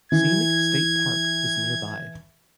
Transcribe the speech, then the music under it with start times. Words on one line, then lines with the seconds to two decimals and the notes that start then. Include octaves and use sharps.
Scenic State Park is nearby.
0.12 E3 G#6